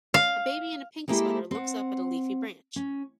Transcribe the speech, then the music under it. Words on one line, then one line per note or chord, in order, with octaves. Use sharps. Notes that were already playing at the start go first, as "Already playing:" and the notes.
A baby in a pink sweater looks up at a leafy branch.
F5
G3 G#3 A#3 E4 G4 A4
C4 F#5
C#4